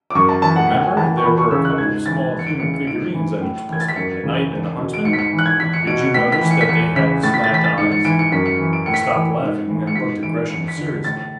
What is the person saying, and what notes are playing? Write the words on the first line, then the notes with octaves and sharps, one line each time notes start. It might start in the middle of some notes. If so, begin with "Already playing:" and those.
"Remember, there were a couple of small human figures on each pistol, a knight and a huntsman? Did you notice that they had slant eyes?" He stopped laughing, and looked at Gresham seriously.
D6
F#2 C#6
A5
E3 A5
F#5
A2 F#5
G#5
E3 A5
C#6
E2 B5
C#6
C#3 E3 E6
F#6
G#2 G#6
E3 A6
E2
C#7
D7
C#3 E3 C#7
C#7
G#2 D7
E3
A2
E3 G#6
A6
B6
F#2 C#7
C#3 E3
E2
B2
D7
G#2 C#7
B6
C#7
E3
F#6
G#6
E2 B6
C#7
B2 D7
C#7
A2 B6
B6
E3
C#7
B6
E2 C#7
C#3 E3 B6
A2 A6
B6
A6
E3 B6
A6
G#2 C#7
C#7
E3 D7
C#7
F#2 B6
C#7
E3
D7
A2 C#7
B6
C#7
E3
G#2
E3
C#7
G#2 B6
E3 D7
E2 C#7
B6
D3
B6
A2 A6